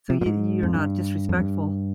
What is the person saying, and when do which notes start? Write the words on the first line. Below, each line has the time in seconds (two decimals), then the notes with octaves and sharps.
so you you're not disrespectful.
0.10 C3
0.21 A#2
0.26 G#2
0.63 F2
0.74 G2
1.29 F2
1.40 G2